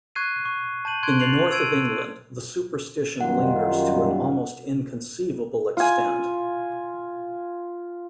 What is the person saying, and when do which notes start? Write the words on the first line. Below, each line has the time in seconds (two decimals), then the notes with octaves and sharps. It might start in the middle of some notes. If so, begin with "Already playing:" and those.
In the north of England, the superstition lingers to an almost inconceivable extent.
0.15 C#6 F#6 G#6 C7 D#7
0.45 C#6
0.85 A5 G6 D#7 F#7
1.03 C6 F#6 G#6 D7
1.20 A6 C7 F7 F#7
1.51 E6 G#6 D7 D#7
3.21 F#2 D#3 G3 F4 F#5
5.77 F4 G#5